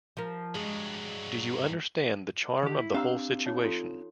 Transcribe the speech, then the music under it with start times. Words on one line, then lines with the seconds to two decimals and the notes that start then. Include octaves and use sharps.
Do you understand the charm of the whole situation?
0.17 F3 A#4
0.55 G2 F#3 G#3
2.63 D#3 G4
2.78 E4
2.94 C4 D4 G4 F5 A#5 E6
3.46 D#4 C#5
3.64 F4 A4 C6